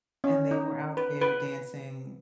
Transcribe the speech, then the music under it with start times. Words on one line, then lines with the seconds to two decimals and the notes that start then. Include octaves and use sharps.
and they were out there dancing
0.24 C#4
0.51 D#4
0.97 B4
1.21 B4